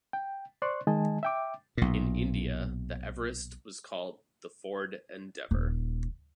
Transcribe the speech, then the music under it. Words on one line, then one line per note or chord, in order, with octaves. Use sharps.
In India, the Everest was called the Ford Endeavour.
G5
C5 D5 C6 C#6 F#6
D#3 G#3 D#5 G#5 A5
E5 G5 D6
B1 A#2
D#1